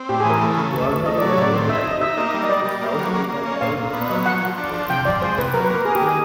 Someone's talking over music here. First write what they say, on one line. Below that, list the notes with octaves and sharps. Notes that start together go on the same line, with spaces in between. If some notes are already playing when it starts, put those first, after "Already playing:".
Warner Memorial Library is housed in the Harold Howard Center.
Already playing: C4
A2 G4
G#4
E3
A#4
A3
C#3
A3
A3
A3 D#5
F#3 D5
C#5
A2 D5
C4
D#4 E5
D#4
D#5
D#4 E5
A#3 D#5
G3
D#5
G3 D5
D#5
G3
A#3
F#3
A#3
A#3
C#4
A#2 F5
A#2
B3
F#3
F3 F#5
F3
D4
F3
C3 G5
F3 D5
G#3 C5
C3 B4
F#3 A#4
B4
A#3
A#4
A#3 G#4
G4
D#3 G#4